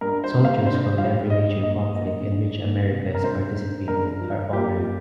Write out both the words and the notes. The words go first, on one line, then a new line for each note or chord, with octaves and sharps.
Soldiers from every major conflict in which America has participated are honored.
G2 A#4
C5
A#3
F5
G2 C5
G3 F5
G3 D#5
A#3 D#5
A#3 D#5
G2
A#3
C3
A#4
G2 C5
G2
G2 A#4
F3
A#3 G4